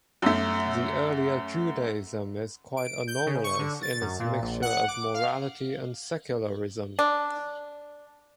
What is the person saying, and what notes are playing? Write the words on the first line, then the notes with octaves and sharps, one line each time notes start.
The earlier Judaism is quite anomalous in its mixture of morality and secularism.
F#2 A3
D7
G6
C#3
C#6
D3
A6
F#2
A#2
A#1
F#5
D6
F5
D4